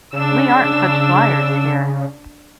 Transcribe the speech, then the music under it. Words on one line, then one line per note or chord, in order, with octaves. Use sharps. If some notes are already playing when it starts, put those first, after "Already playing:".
We aren't such flyers here.
C#3 D4 E6